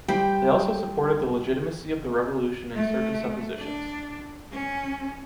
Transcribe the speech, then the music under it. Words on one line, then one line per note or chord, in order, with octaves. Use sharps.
They also supported the legitimacy of the revolution in certain suppositions.
G3 G4 C5 G5 B5
A3
D4
C#4